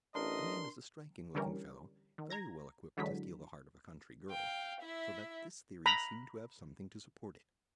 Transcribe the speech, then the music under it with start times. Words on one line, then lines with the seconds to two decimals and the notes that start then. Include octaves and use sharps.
The man is a striking-looking fellow, very well equipped to steal the heart of a country girl, so that this theory seemed to have something to support it.
0.15 A1 D4 A#4 D#5 C6
1.35 D3 E3 G3 C#4 A#4
2.18 D#3
2.30 A#5 G#6 A#6
2.97 G#1 D3 E3 F#3 G#3 B6
4.31 F5 G5
4.81 E4 E5
5.86 A#5 B5